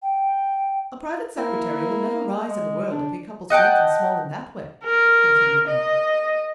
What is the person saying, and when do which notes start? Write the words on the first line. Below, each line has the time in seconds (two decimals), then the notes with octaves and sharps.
"A private secretary will never rise in the world if he couples great and small in that way," continued Nello.
0.02 G5
1.38 A#3 E4
2.49 G#3
2.91 D4
3.50 D#5 F#5 G5 A5
4.84 A#4
5.67 D#5